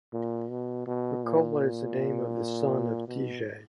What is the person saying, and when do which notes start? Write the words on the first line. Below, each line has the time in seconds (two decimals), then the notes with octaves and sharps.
Rokola is a name of the son of Degei.
0.13 A#2
0.50 B2
0.87 B2
1.24 A#2
3.08 B2